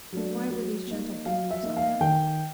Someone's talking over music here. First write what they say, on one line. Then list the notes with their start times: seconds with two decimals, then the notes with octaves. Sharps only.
Yet why were these gentle beings unhappy?
0.12 F#3 A3 D4
0.50 F#3
0.87 A#3 D#4
1.25 F#3 F5
1.51 E5
1.63 A#3 D#4
1.77 F5
2.01 D#3 G5